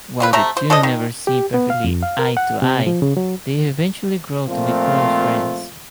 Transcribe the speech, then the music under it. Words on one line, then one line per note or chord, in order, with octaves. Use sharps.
While the two never see perfectly eye-to-eye, they eventually grow to be close friends.
C4 F4 B4
C3 A3 E5 A#5
C5
D4 A4 C5 D#5
D#3
G4
B3
F5
F2
F5
A#4
F#5
C3
F3
C#3
F#3
A#2 F3 A3 C4 F4